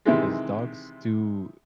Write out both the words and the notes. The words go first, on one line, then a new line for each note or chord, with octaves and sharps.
'cause dogs do
C3 D#3 E3 G#3